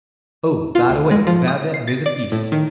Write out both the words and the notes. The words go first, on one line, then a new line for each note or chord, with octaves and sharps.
Oh, by the way--about that visit East.
F4
D2
G#3
F3
D#6
C7
A6
D5
A2
D#3